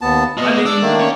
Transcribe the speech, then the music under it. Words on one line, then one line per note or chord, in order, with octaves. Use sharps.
I mean,
D#2 B3 A5
A#2 B3 D#5
D4 D6 E6
D#3 A3 A#3
C#4